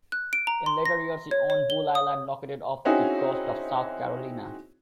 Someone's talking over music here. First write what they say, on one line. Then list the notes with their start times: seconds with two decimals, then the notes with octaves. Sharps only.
In later years he owned "Bull Island", located off the coast of South Carolina.
0.12 F#6
0.33 D7
0.47 A#5
0.66 C6
0.86 A#6
1.31 C#5
1.50 C#5
1.70 G7
1.95 D#6
2.85 C4 C#4 D#4 E4 F#4 G#4